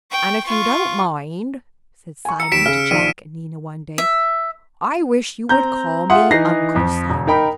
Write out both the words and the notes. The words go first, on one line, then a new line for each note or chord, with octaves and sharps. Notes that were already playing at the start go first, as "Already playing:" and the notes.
"And if you don't mind," said Simon to Jack and Nina one day, "I wish you would call me Uncle Simon."
G5 C#6
F4 C#6
G#5 C#6
A#5 E6 C#7
D#2 B6 D7 E7
C#3 F6
A#1 D#3 F3 D#7
E5
C4 A#5 G6
F4 G#4 E5 F#5 C6 D#6
E3 D#4 A#6 C7
F2 F3
E1
D#4 A#4 G5 B5